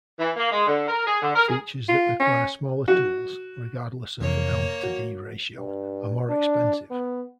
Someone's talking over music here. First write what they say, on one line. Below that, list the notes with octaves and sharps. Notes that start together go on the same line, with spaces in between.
Features that require smaller tools, regardless of L:D ratio, are more expensive.
E3
A#3
G#3
D3
A#4
G#4
D3
A#4
G#4
F4
C#4
F#4
F2 C3 E3 A#3 C#5
F#4
G2
D4
B3